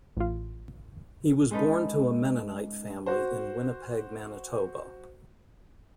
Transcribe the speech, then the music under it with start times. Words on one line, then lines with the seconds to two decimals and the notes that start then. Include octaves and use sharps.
He was born to a Mennonite family in Winnipeg, Manitoba.
0.17 A1 F4
1.51 G#3 C#4 D#4 A4 B4
3.06 F#4 C5